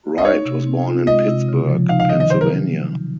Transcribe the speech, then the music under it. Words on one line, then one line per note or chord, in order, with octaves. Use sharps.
Wright was born in Pittsburgh, Pennsylvania.
D#5
D#4 C#5
C3
C4
F4
G#3 D#5
C3
C#3
F3
D#4 F5
F5
D#3 D#5
D#5
F#3 C5
A#4